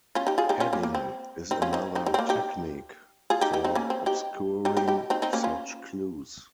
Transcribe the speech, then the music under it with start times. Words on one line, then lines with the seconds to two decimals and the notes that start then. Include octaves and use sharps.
Padding is another technique for obscuring such clues.
0.15 C#4 F4
0.27 D#4 G4
0.38 F4 G#4
0.49 D#4 G4
0.60 C#4 F4
0.73 A#3 C#4
0.83 A#3
0.95 C4
1.51 C4 D#4
1.62 C#4 F4
1.73 C4 D#4
1.95 C4 D#4
2.06 D#4 G4
2.14 C4
2.19 A#3
2.29 D#4 G4
3.30 F4 G#4
3.41 D#4 G4
3.53 D#4 G4
3.64 C4 D#4
3.75 A#3 C#4
3.90 C4
4.06 D#4 G4
4.65 D#4 G4
4.77 D#4 G4
4.88 D#4 G4
5.10 C4 D#4
5.22 C4 D#4
5.33 A#3 C#4
5.44 C#4 F4